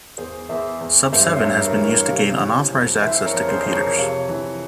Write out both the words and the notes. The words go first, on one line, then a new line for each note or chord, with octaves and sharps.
SubSeven has been used to gain unauthorized access to computers.
E2 G#4 C5
E2 C5 E5
E2
G2 C5 E5
C#5
C5 E5
G2
A#4 C#5
E3
A#4 C#5
C3 F5
C#5 F5
E3
F2
E3 C5 E5
A#4 C#5
F2
A#4
G#4 C5
F2 C5
A#4 C#5
C3 C#5 F5
E3